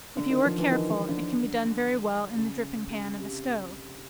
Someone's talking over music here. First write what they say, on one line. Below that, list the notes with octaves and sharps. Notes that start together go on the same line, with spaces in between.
If you are careful, it can be done very well in the dripping-pan of a stove.
D3
D#3
F3
E3
D#3
D#3
D3
C#3
C#3
C3